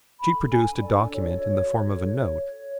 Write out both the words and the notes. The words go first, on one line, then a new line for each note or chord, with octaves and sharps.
She produced a document in the form of a note.
A4 B5
D4 G#5
A4 D5
F#4 C#5
D5
C#5
F#4
A4
C#5
C#5